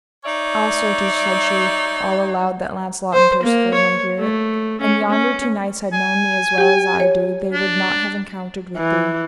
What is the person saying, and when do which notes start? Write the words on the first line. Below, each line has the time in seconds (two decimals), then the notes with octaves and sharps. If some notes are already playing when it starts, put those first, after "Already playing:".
Ah certes, said she, all aloud that Launcelot and Percivale might hear it: An yonder two knights had known thee as well as I do they would not have encountered with thee.
0.25 D#4 C#5 D5 E5
3.13 C5
3.43 A#3
3.74 C#5
4.19 A3
4.81 C#4
5.11 C#4
5.93 G#5
6.58 G4 G5
7.00 C#5
7.53 D4
8.77 E3